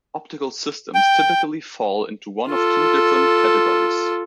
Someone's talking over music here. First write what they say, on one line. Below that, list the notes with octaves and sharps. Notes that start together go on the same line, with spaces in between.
Optical systems typically fall into one of two different categories.
G5
F4 A4